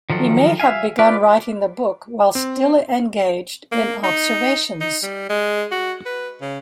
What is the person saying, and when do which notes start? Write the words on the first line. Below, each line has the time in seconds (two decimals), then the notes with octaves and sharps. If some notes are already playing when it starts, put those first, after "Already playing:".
He may have begun writing the book while still engaged in observations.
0.10 D#3 F3 F#3 A4
0.60 E5 F5 G#5
0.99 F4 B4 D5
2.35 C4
3.72 A#3
4.04 D#4
4.81 D#4
5.03 G3
5.30 G#3
5.71 F#4
6.06 B4
6.42 C#3